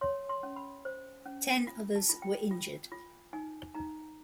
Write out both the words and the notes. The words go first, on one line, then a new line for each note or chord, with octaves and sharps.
Ten others were injured.
C#5 C6
C6
C#4
B5
C5
C#4
F4
A5
F4
G5
F4
F4
D#4 G#5
D#4 A#5